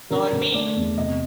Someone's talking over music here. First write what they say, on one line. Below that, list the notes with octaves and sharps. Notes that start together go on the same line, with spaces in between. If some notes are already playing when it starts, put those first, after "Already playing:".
Nor me.
D3 A#4
D3
A3 D5
E2
C3 D#5